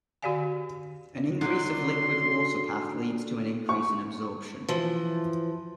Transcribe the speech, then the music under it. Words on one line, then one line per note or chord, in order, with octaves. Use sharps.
An increase of liquid water path leads to an increase in absorption.
D3 F#4 G4 D5 F5 G#5
D3 F#3 D#4 C6
C#6
E3 F3